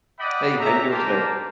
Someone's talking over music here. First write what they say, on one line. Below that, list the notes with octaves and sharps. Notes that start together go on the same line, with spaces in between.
Hey, how you doing today?
D5 D#5 F#5 G5 B5 D#6
C#4 G4 E5 A#5
A#3 G4 C5 A5 A#5